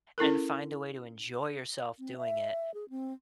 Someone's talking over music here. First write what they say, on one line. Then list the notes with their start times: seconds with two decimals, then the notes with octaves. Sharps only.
and find a way to enjoy yourself doing it
0.18 C#4 E4 A4 A#4
1.99 C4
2.17 E5
2.74 G#4
2.90 C4